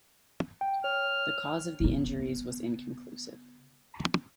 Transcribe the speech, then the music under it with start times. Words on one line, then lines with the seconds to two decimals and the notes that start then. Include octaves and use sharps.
The cause of the injuries was inconclusive.
0.61 G5
0.84 C#5 F6
1.80 C#3 B3